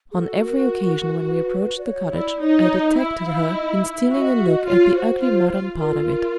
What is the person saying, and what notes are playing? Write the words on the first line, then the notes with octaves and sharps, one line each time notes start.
On every occasion when we approached the cottage, I detected her in stealing a look at the ugly modern part of it.
G#4
F#4 A4
A#4
A#4
B4
D5
C#5
E4 D5
D#4 C#5
C#5
D#5
D#5
E4 E5
E5
F5
E5
D#5
E5
F#4 E5
D#5
E5
D#5
F4 C#5
F#4 C5
F4
F4
F4 A#4
A4
A#4